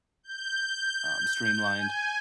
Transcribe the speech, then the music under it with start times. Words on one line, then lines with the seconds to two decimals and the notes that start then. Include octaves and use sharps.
um, streamlined,
0.23 G6
1.75 G#5